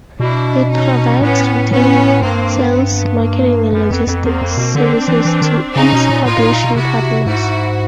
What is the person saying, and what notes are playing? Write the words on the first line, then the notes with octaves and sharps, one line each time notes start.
It provides retail, sales, marketing and logistics services to its publishing partners.
B2 D4 E4
C#4 D#4
A2 B3 C#4
B3 C#4
G2 A#3 C4
B3
A#3
F#2 B3
F2
F2
E2 A#3 C4
F2
B2
D3 C4 D4
E3
E3
D#3
C#3 C#4 D#4
B2
A#2
A2 D#4 F4
A2
A#2
B2
C3 E4 F#4
G#2 E4 F#4